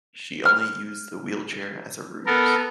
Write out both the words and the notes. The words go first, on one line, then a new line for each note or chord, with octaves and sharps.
She only used the wheelchair as a ruse.
F6
B3 A4 A#4